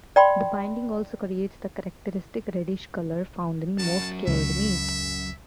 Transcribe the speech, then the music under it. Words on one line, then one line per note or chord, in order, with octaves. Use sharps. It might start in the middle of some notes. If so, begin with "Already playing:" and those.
The binding also creates the characteristic reddish color found in most cured meat.
D5 G5 B5 C6
F#2 F#4 A5
C#2 E5